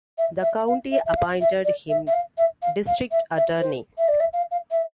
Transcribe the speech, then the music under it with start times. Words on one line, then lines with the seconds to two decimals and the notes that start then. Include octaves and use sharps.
The county appointed him district attorney.
0.18 E5
0.41 E5
0.67 F5
0.91 E5
1.05 E5
1.16 F5
1.40 E5
1.64 D5
1.89 E5
2.07 E5
2.13 F5
2.37 E5
2.62 F5
2.87 F5
3.11 E5
3.36 E5
3.60 C5
3.97 E5
4.08 D5
4.20 E5
4.33 F5
4.51 F5
4.71 E5